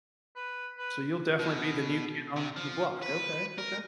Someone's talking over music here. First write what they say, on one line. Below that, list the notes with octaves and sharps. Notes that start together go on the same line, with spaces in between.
So, you'll definitely be the new kid on the block. Okay, okay.
B4
B4
B2
C3
F3
B4
A#4